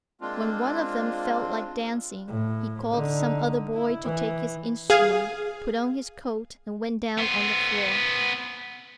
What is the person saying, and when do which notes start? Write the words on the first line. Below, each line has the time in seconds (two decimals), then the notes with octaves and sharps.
When one of them felt like dancing, he called some other boy to take his instrument, put on his coat, and went down on the floor.
0.21 G#3 A#3 C4 D4 F4
2.28 A2
2.92 D3 D#4
3.74 E4
4.04 E3
4.90 G#4 F5 G#5
7.18 B3 C5